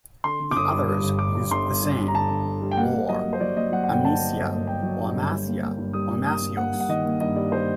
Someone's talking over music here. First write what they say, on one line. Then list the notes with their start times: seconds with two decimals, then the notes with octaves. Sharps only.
The others used the same, or Amisia, or Amasia or Amasios.
0.24 D3 C6
0.40 D3
0.51 D6
0.56 G1 D#6
0.72 G2
0.88 G3 D#6
1.03 G1
1.19 G3 D6
1.35 G2
1.51 G1 C6
1.67 G2
1.83 G2
1.98 G2
2.08 A#5
2.14 D3 A5
2.29 D3
2.46 D3
2.62 G3
2.71 G5
2.77 A#3 F#5
2.93 A#3
3.09 F#3 D#5
3.25 A#3
3.33 C5
3.40 F#3 D5
3.57 A#3 D#5
3.72 F#3 F#5
3.84 F#5
3.88 G1 G5
4.04 A#3 A5
4.20 A#3
4.36 G1
4.52 A#3
4.67 A#3 G5
4.83 F#3
4.98 G2
5.15 G1
5.31 G2
5.46 A#3
5.62 A#3
5.78 G2
5.93 G3 D#6
6.10 A#3
6.26 A#3 D#6
6.42 G2
6.57 A#3 F#5
6.74 G2
6.80 F#5
6.89 D#3 D#5
7.05 A#3
7.20 G2 D#5
7.36 G3 D5
7.52 C5